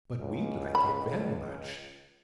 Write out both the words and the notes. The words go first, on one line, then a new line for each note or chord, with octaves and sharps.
But we'd like it very much.
C#2
B5